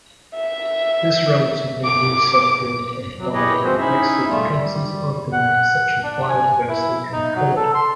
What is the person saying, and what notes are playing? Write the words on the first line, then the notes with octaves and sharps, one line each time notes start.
This relatively new subfield of biocomplexity encompasses other domains such as biodiversity and ecology.
E5
D6
C3 F#3
E4 G4 G#4 B4 C#5 D#5
F3 G#3 C4 F#4 C5
C#4 D#4 E4 G#4 E5
G3 A3 F4 E5
G3
F#5
D4
G#5
E4
D#4
F#3
A4
C6